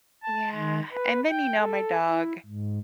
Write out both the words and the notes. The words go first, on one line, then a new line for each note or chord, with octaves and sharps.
yeah, and then, you know, my dog,
A5
D#3
B4
G5
A4
E4
G#2